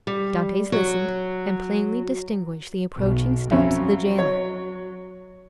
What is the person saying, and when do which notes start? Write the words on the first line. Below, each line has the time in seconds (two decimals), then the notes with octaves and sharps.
Dantes listened, and plainly distinguished the approaching steps of the jailer.
0.07 G3
0.72 F#3
2.95 B1 B2
3.51 F2 F#3 C#4 E5
4.19 C#5